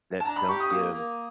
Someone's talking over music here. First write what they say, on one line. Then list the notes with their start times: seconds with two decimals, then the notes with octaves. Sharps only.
that don't give
0.20 A5
0.25 D4 A#5
0.36 B5
0.48 G4 C#6
0.60 D#6
0.70 A#3 D#6
0.94 A#3